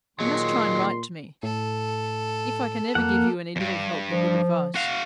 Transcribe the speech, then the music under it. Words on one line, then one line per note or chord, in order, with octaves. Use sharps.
You must try and write to me, if I can ever give you any little help or good advice.
D#2 A#2 F#3 G#3 C6
A2 A4
F2 A#3 F#5
E2 G2
F3
F#4 F5